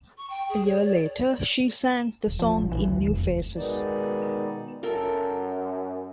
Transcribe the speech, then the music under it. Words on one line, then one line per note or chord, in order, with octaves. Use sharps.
A year later, she sang the song in "New Faces".
C#6
G5
G#4
C#5
D5
D#1
F3
A#1
E3
D2
F1
B2 D#3 G#3 B3 D#4 D5
F#2 A4 A#4 G5